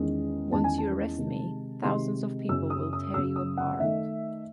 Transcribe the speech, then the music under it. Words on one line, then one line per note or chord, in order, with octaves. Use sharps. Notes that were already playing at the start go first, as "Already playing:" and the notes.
Once you arrest me, thousands of people will tear you apart.
Already playing: E2 D#3 G#3 C#4 D#5
E2 D#3 G#3 C#4 A5
G#5
A5
C3 D#3 G#3
C3 D#3 G#3 C6
F#2 C#3 F#3 C#4 E6
D#6
D#6
F#2 C#3 F#3 C#4 E6
D#6
F#5
D#3 A3 D#4 E5